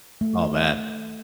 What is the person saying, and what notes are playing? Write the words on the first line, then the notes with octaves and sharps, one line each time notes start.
Oh, man.
A3